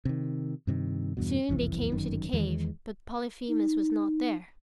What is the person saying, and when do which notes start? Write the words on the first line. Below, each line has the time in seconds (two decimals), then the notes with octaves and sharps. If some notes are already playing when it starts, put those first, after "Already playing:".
Soon they came to the cave, but Polyphemus was not there.
0.05 C3 D#3
0.67 G2 C3 D#3
1.17 E2 G2 B2
1.49 F#1 C2 F2 E3
1.92 G1 F#2 D#3
2.33 E2 D#3 E3 G#3
3.49 D#4